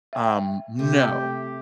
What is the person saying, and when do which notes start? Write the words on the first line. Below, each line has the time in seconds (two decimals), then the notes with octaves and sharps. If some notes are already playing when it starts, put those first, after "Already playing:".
Um, no.
0.13 E5 G5
0.79 C3 A3 G4